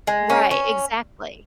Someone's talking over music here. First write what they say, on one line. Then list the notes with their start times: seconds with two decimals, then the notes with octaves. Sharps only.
Right, exactly.
0.07 G#3
0.30 C#4
0.51 C#4